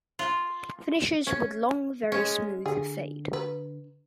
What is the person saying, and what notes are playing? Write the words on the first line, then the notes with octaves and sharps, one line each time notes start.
Finishes with long, very smooth fade.
F4
C#4
G#3 C#4
D3 G#4
B4